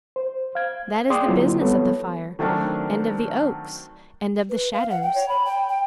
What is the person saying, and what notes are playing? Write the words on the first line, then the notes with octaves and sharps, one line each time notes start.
That is the business of the fire, and of the oaks and of the shadows.
C5
F5 G#6
G#4 D5 G5 C6 D6 D#6
D3 F#3 A#3 C4 E4 F4
G3 B3 A4 C#5
D#3 F#3 A3 C4 D4 A#4
B4
F5
F#5
G5
C#5
B5
G5
G5